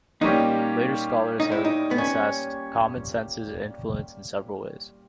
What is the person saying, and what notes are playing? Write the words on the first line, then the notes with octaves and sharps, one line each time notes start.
Later scholars have assessed "Common Sense's" influence in several ways.
A#2 G3 A#3 C#4 D#4 G4
D#4
E4
D#4
B3
C#4